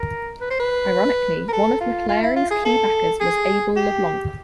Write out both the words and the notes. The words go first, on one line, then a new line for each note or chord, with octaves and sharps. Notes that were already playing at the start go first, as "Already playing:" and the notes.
Ironically, one of McAlary's key backers was Abel LeBlanc.
Already playing: A#4
B4
C5
B4
A#4
A4
F4
F4
E4
F4
G#4
A4
G#4
G4